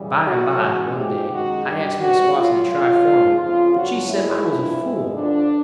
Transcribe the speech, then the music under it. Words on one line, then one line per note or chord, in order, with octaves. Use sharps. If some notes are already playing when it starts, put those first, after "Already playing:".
By and by, one day, I asked Miss Watson to try for me, but she said I was a fool.
Already playing: F#2 C#3 E3 G3
A2 F#3 F#4
F#2 C#3 E3 G#3
G#2 F3 G#3 G4
F#2 D#3 G#3 F#4
G2 D3 G3 G4
G#2 E3 G3 F#4
A2 F#3 F4
E2 C#3 F#3 F4
G#2 F3 G#3
F2 C#3 F3 F4
G2 D3 F#3 F#4
G#2 D#3 G#3 E4
G2 D3 F3
G#2 E3 G#3
G2 D3 F3 D4